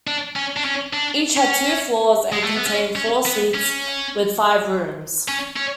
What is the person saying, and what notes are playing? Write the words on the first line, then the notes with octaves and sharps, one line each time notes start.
Each had two floors and contained four suites with five rooms.
D4
C#4
D4
C#4
D4
C#4
G#3
A3
B3
C#4
C#4
B3
C#4
C#4
C#4